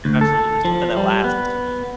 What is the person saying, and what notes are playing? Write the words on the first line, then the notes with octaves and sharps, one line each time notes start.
Absolutely, something that lasts.
D2
A4
F3
G3
B3